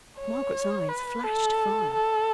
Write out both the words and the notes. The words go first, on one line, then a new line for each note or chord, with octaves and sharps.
Margaret's eyes flashed fire.
C#5
B4
A4
A4